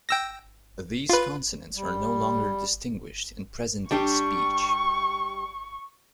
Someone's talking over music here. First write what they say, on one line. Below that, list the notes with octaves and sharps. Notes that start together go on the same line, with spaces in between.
These consonants are no longer distinguished in present-day speech.
G5 E6 A#6
F4 B4
G3
G3 D4 G4 C#6